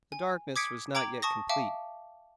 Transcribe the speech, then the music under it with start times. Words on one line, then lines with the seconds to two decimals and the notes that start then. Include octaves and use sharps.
The darkness was not yet complete.
0.12 G#5
0.56 D6 D#6 G#6 B6 C#7 D7
0.95 G5 A#5 D6 G#6 D7 F#7
1.22 A5 C#6 D#6 A#6
1.49 E5 F5 G5 A5 D6